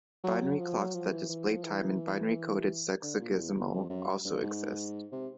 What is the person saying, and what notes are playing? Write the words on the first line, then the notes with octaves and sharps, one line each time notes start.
Binary clocks that display time in binary-coded sexagesimal also exist.
F#3
F#3
F3
F#3
F3
E3
E3
F3
E3
D3
A#2
E2
E2
F2
F#2
G2
G#2
C3